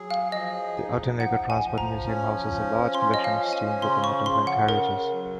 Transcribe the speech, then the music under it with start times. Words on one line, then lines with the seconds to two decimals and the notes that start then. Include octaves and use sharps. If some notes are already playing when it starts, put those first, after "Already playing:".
The Outeniqua Transport Museum houses a large collection of steam locomotives and carriages.
Already playing: F#3 G#4
0.11 F5
0.32 F3 D#5
0.77 D#4
1.20 F3 F#5
1.50 G#5
1.64 F3
1.78 A#5
2.07 C#4
2.52 F3
2.94 C#4 C6
3.14 D#5
3.24 F5
3.39 F3
3.53 G#5
3.82 C#3 C6
4.04 C#6
4.25 C#3 C6
4.47 F#5
4.69 C#3 A#4
5.13 F#3